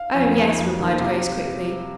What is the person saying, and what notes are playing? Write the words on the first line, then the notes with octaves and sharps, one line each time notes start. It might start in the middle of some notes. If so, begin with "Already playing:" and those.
"Oh, yes," replied Grace quickly.
Already playing: F5
F2
D#3 A#3
F2
D#3 A#3
C3 F5